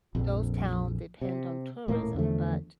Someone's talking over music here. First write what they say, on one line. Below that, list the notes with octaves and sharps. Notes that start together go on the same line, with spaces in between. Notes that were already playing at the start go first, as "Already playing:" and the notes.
those towns depend on tourism, but,
A#1 F2
C3
D#1 A2 A#3
E2 D3 F3 A3